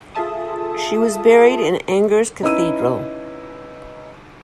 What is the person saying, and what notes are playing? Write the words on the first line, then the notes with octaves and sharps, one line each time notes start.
She was buried in Angers Cathedral.
F4 G#4 A4 E5 A5 D#6
C#4 D#4 E4 B4 E6 D#7